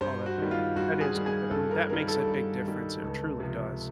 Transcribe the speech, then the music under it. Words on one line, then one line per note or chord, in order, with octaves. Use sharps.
Oh, that's great. That is good, I mean, that makes a big difference, it truly does.
G2 C5
F#4
D#3 G3
F4
G2 F#4
G#4
D#3 G3
G#4
G2 A4
A#4
D#3 G3 A#4
A4
G2
D#3 G3
C#2
C3 F3